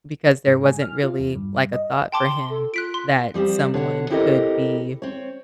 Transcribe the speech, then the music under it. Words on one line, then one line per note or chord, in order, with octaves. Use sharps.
Because there wasn't really like a thought for him that someone could be,
G#2
G#5
F6
F4
E2
G2
D#5
G5 A5 C6 D6
A4
F4 F#6 B6 D7
C6
F3 G3 C4 G4
D3 C#5 F#5
C4 E4 G4 A4 A#4 D#5
C4 C#5